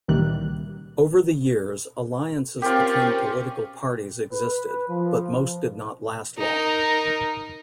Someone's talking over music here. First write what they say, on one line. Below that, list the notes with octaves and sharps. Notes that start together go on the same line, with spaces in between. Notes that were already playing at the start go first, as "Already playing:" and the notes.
Over the years, alliances between political parties existed, but most did not last long.
C#2 A#2 D#3 E3 G3 F#6
C4 C#4 F4 G4 A#4 G5
B4
F3
D#4 A#4